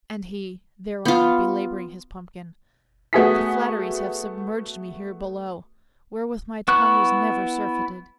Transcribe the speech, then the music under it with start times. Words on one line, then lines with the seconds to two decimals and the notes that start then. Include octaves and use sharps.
And he thereon, belabouring his pumpkin: "The flatteries have submerged me here below, Wherewith my tongue was never surfeited."
1.05 B3 F4
3.13 A3 B3 F#4 G#4 D#6 B6
6.68 B3 E4 C#6 F#6